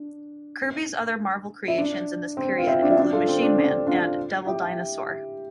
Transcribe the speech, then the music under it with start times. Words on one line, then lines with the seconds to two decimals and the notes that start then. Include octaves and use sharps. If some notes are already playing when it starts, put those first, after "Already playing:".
Kirby's other Marvel creations in this period include "Machine Man" and "Devil Dinosaur".
Already playing: D4
1.68 E4
1.78 D4
2.37 C4
2.58 F4
2.67 C4 E4
2.82 D4
2.91 E4
2.97 D4
3.12 F4 A4
3.28 C4
3.42 D4
3.58 D4
3.87 D4 F4
4.47 E4 G4